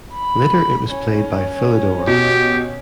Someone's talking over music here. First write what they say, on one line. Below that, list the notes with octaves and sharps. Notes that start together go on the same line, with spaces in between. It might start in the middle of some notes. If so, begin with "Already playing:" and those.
Later it was played by Philidor.
B5
C#4
B2 G4